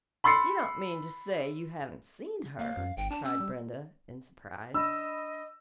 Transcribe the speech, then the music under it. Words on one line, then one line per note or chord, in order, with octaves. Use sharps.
"You don't mean to say you haven't seen her," cried Brenda in surprise.
B5 C6 E6 A6 C7 C#7
A#3 F5
F#2
G#1 G5
D4 A5
C#4 E6
G3
D4 D#5 B5 E6